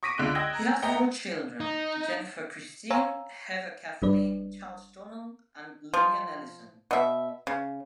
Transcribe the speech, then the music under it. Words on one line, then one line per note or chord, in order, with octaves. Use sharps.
He has four children, Jennifer Christine, Heather Kathleen, Charles Donald, and Lillian Ellison.
C#6 D6 A#6 B6 D7 D#7
C#2 D3 F4 F#6 D7
D#5 G5 E6 F#6 G#6 A#6
A#5
A3 B3 D#5 G5 A#5 C#7
D#4
C5 C#5 F5 G#5 A#5 E6
G1 G3 D4 B4 D5
F3
B2 E5
C#3